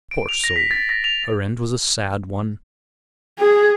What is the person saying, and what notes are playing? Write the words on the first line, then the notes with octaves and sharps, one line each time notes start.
Poor soul! her end was a sad one.
D7
F7
A#6
B6
A6
A#6
F7
G#4